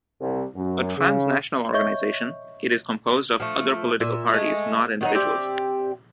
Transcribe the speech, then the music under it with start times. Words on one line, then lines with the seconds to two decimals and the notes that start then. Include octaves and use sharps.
A transnational organisation, it is composed of other political parties, not individuals.
0.20 C2
0.55 F#2
0.96 C#3
1.73 C#5 D#5 E5 C#6 G6 G7
3.40 F3 A3
4.00 A#2 E5
4.34 G#3 A3
5.01 D#3 F#3 D#4
5.15 C4 G4 D5 E5